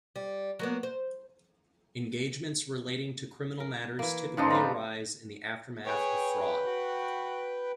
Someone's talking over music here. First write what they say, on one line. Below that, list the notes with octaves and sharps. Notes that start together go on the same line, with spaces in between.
Engagements relating to criminal matters typically arise in the aftermath of fraud.
G3
F#3 A#3 B3
C5
A#4
E3 A#3
G#2 C#3 F3 G#3 D4 D#4
A3 B3 A#5 C6
G#4 B4 C#5 G5
F#4